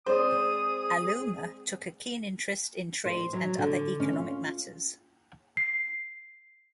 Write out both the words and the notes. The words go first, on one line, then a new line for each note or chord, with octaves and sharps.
Alooma took a keen interest in trade and other economic matters.
G#3 C4 G#4 C5 D5 D#6
C5
F#3
D3
C#4
F4
C7